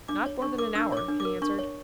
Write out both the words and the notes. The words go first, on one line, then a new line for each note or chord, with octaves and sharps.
"Not more than an hour," he answered.
D4 D6
C#5
D4 C#6
A#4 D6
D4 E6
C#5 D6
D4
D6
A#4
D4 C#6
C#5